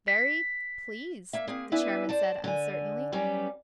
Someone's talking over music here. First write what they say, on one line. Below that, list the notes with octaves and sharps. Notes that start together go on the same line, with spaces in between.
"Very ... pleased," the chairman said uncertainly.
B6
A#3 E5
A#3 C4 G#4
B3 D4 E4 B4 E5 G#5
C5 D5 A5
D3 G#5
F#3 G3 B3 C#4 G4